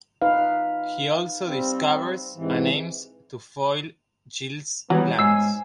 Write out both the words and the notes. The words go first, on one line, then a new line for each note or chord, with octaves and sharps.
He also discovers and aims to foil Giles's plans.
D#4 B4 F5
G3 C4
G#2 C3 E3
E3 F#3 G3 B3
G#2 G#5 E6 C7